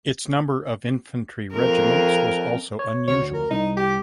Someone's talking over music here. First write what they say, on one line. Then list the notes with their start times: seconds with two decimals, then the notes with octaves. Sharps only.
Its number of infantry regiments was also unusual.
1.54 F2 A#4
2.79 C#5
3.08 D2 C#5
3.34 A#4
3.51 C2 D#4
3.77 G4